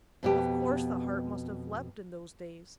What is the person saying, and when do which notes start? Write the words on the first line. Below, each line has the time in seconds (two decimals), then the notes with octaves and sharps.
Of course, the heart must have leaped in those days.
0.23 F2 B2 G4